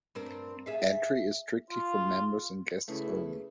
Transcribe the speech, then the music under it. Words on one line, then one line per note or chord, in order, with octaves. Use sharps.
Entry is strictly for members and guests only.
G2 C4 A#4
G#4 E5 F5
F4
C#3 A3 E4 G#4 B4